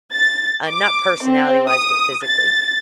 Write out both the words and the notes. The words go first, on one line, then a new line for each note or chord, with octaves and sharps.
Uh, not personality-wise, but physically.
A6
D6
C4
D#6
A6